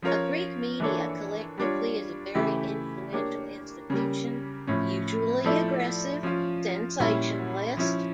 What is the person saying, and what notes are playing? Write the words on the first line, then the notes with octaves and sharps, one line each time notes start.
The Greek media, collectively, is a very influential institution - usually aggressive, sensationalist.
F3 C#4 F4 A#4 C#5
E3 A#3 D4 A4 C#5
G3 D4 F4 C#5
C#3 E3 A3 E4 G4
A#3 D4 G4 C#5
C#3 G3 A#3
A2 F3 C#4
F3 A3 E4 A4 D5
F3 C#4 F4
A#2 G3 C#4 E4
F3 C#4 E4